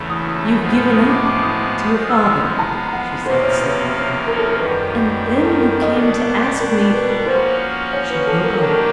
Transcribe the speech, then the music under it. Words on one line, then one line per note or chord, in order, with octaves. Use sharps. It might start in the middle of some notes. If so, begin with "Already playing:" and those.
"You've given up--to your father," she said, slowly, "and then you came to ask me--" She broke off.
Already playing: E2 C#3 E3 A3 B5
D#6
A2 F3 G#3 B3
D#6
D6
D6
D#6
F3 G#3 B3
E6
E6
C6
A#5
F#5
E2 C3 F3 A#3 C#4 C5
C#5
B4
A#4
A4
A#4
F#2 D#3 G3 B4
A#4
A4
A#4
D#5
B2 G3 B3 D4 A#4
A#4
B4
A#4
F3 A#3 C#4 F#4 C5
C#5
B4
A4
A#4
D#3 F#3 A#3 D4 G4 A#4
A4
A#4